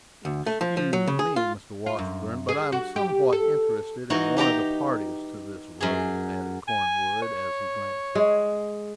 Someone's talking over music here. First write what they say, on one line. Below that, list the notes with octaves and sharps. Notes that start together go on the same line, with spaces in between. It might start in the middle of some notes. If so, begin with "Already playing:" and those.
"Excuse me, Mr. Washburn; but I am somewhat interested in one of the parties to this row," added Cornwood, as he glanced at me.
D2
A3
F3
F3
F#3
C#3
G#4
F4
F4
F#2
G#4
F#4
G4
A4
E3 D#4 F#4 D#5
D#4 G4 G5 A#5
F#2 G#4
G#5
C#5
G#3